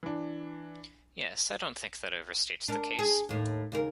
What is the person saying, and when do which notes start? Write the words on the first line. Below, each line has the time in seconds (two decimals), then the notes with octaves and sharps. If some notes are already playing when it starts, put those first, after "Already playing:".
Yes, I don't think that overstates the case.
0.03 E3 D4
2.68 D4 A#4
2.99 G#4
3.29 D#2 A2
3.72 D#2 C#3 A#4